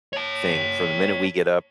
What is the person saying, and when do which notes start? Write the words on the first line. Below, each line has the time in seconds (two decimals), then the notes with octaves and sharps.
thing., from the minute we get up
0.13 C#5 A5